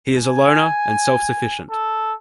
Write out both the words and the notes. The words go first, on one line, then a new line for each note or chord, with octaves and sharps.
He is a loner and self-sufficient.
G#5
A4